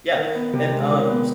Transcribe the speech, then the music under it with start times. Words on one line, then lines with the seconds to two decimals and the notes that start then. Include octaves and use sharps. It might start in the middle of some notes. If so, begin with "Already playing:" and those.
Yeah, and, um, s
0.17 D#3
0.35 B3
0.53 C3
0.71 G#3
0.90 D#3
1.08 B3